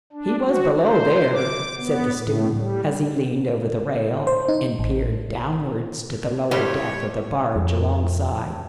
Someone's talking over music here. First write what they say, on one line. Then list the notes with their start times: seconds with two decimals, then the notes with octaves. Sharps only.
"He was below there," said the student, as he leaned over the rail and peered downwards to the lower deck of the barge alongside.
0.13 D4
0.44 F#4
0.82 C5
1.33 D6
1.77 B3
2.17 A2
2.56 G3
4.27 C5
4.48 D#4
4.79 A1
6.51 F2 A2 G3 E4 G4 C#5 D#5
7.56 F2